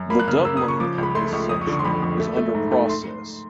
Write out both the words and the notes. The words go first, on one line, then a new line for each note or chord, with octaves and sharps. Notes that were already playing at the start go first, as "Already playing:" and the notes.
The doubling of this section is under process.
Already playing: F#2
A#3 B5
F#6
C#3 F6
A#3 E6
D#6
C#3
C#6
F3 D6
C#2 B5
A3 C6
C#2 C#6
F2 D#6
C#6
D3
C#6
C6
F2 B5
F2
A3
A3
G#2
A3
C6